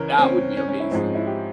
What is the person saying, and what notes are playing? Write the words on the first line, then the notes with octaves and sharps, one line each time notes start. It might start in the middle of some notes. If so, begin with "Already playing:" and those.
That would be amazing.
Already playing: C#2 C#3 E3 A#4 C#5
C4
C#4
C#4
C#4
E4
G#2 F3 G#3 C4
C#4
E4
G4